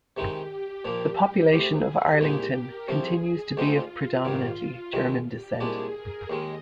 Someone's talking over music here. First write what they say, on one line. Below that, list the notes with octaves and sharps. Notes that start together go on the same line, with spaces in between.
The population of Arlington continues to be of predominately German descent.
C3 D#3 G#3 D#4 G4
A#2 F3 A#3
D2 C3 G3 G#4
G4
C2 A#2 G#3 D#4
A#4
C2 C3 F3 C4 G#4
D2 D3 G#3 C4 D#4 F4
G#2 D#3 G3 F4
C3 D#3 G#3
G4
C2 A#2 G#3 D4 G#4
A#4
D#2 D#3 G#3 D#5